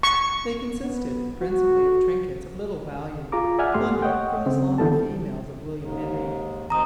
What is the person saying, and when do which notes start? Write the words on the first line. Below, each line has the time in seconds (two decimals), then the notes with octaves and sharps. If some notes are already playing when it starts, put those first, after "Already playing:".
They consisted principally of trinkets of little value, plundered from the slaughtered females of William Henry.
0.03 C#6
0.82 B3
1.41 F#4
3.32 F4 G#4 A#5 D6
3.59 D5 E5 F#5 G#5 F6
3.74 G#2 A3 G4 C6 F6
4.02 C#5 D#5 F#5 G5
4.46 C#3 C4
4.78 D3 E3 B3 A4 A5
5.81 D#2 G#2
6.70 D2 D#3 C4 A#5 D#6